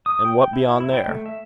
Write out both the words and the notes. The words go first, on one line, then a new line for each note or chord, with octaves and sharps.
"And what beyond there?"
D#6
G5
E4
E4
G5
A3
E5